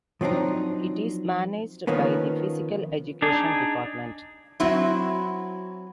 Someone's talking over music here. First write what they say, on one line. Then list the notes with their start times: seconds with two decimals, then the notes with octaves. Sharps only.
It is managed by the Physical Education department.
0.21 F3 F#3 C4 D4 D#4
1.87 D#3 F3 A#3 B3 C#4
3.22 D4 D#4 G#4
4.60 F#3 C4 E4 F#4